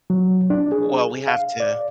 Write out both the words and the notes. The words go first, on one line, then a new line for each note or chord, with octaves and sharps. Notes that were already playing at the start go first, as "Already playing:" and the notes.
Well, we have to
F#3
D4
G#4
F5
D5